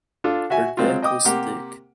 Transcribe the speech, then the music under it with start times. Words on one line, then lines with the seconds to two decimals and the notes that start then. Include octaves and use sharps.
Her deck was thick.
0.24 D4 F4 A4
0.50 F#4 E5 G#5
0.77 F#3 G#3 C4 F4
1.02 D#5 G5 D6 D#6
1.25 C3 A#3 G4 F#5